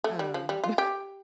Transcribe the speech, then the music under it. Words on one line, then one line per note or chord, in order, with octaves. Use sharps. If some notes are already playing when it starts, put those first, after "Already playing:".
Um, bu
A3
G3
F3
G3
F4
G4